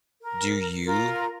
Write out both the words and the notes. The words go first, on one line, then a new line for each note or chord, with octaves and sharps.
do you
A#4
F4 A#4